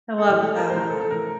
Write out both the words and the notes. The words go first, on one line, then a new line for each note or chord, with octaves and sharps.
I love that.
A4
A2 E3 G4
A4
A#4
A2 E3 C5
A#4
A4
A4
A2 E3 A#4